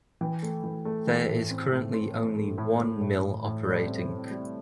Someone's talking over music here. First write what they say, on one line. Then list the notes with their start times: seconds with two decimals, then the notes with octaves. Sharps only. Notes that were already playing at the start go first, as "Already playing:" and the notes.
There is currently only one mill operating.
0.21 E3 G5
0.42 A3
0.64 E3
0.85 A3
1.07 E3
1.28 A2
1.50 C4
1.72 A2
1.93 C4 C6
2.15 A2
2.37 A3
2.58 A2
2.79 A2
3.01 A2
3.22 A2
3.44 A2
3.66 G3
3.87 C4
4.09 C3
4.31 G3